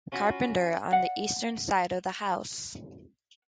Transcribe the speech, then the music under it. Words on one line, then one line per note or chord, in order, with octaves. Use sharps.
Carpenter on the eastern side of the house.
C#4 F4 F#4 B5
D5 F5 F#5